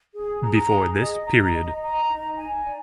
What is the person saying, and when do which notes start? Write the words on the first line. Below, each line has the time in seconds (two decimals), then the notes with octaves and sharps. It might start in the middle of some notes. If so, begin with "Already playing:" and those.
Before this period.
0.15 G#4
0.43 A#5
0.70 G#4
0.98 D#5
1.25 A#5
1.54 D#5
1.81 A#5
2.09 D#4
2.37 G#5
2.65 D5